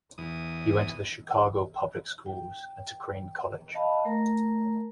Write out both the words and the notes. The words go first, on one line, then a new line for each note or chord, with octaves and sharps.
He went to the Chicago public schools and to Crane College.
E2 D#6
G5
D#5 F5 A5 B5
A3 A#4 A#5